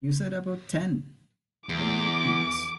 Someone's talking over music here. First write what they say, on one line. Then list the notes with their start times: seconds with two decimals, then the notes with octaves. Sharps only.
"You said about ten," Tony repeats.
1.69 E2 D6